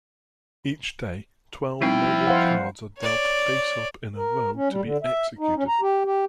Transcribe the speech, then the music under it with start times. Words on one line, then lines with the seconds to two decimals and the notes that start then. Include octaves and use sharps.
Each day, twelve noble cards are dealt face-up in a row to be executed.
1.82 F3 G3 C4 D#4 E4 G5
2.27 C5 F5 F#5
2.99 C#5 D5
4.16 A#4
4.56 C#4
4.69 G3
4.83 D3
5.03 E5
5.39 D#4
5.56 C#4
5.68 A#5
5.81 G4
6.05 G4